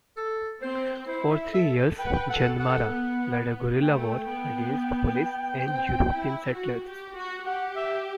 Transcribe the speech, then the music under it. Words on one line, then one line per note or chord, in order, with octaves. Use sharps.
For three years, Jandamarra led a guerrilla war against police and European settlers.
A4
C4 C5
E4 C5
E5
A4 E5
B4 G5
F#5
G5
A4 F#5
A4 F#5
B3
A3 G5
B3
C4
E4
F#4
G4
F#4
G4 F#5
E5